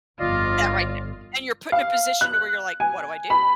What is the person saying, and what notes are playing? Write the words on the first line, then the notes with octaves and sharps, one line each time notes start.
That right there. And you're put in a position to where you're like, "What do I do?
G1 F2 F4 D5 D#5 F5
F5
F#6
G#5
B5